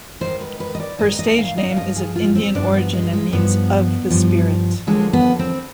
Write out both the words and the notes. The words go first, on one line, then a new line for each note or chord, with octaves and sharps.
Her stage name is of Indian origin and means "of the spirit".
G#2 D#3 C5
B4
B4
D#5
D5
G#2 D#3 D#5
D#5
F5
D#5
F5
G2 F3 D#5
G#4
F4
C4
G2 F3 D4
B3
G#3
G#3
G2 F3 B3
G2 F3
D#2 D3 F3 G#3
B3
C4